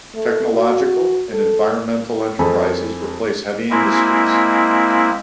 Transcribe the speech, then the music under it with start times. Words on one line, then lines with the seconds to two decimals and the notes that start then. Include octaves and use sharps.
Technological and environmental enterprises replace heavy industries.
0.15 A3
0.55 F#4
1.31 A4
2.39 F2 G#4 A4 G#5 B5
3.70 G#3 A#3 C4 E4